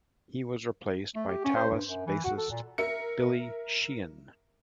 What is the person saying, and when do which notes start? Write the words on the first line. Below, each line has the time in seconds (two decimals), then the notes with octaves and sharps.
He was replaced by Talas bassist, Billy Sheehan.
1.15 A3
1.28 G4
1.44 C#4
1.56 C5
1.70 G2
1.87 F#2
2.06 E3
2.24 F#4
2.37 A4
2.50 A#2
2.78 A#4 E5 C#7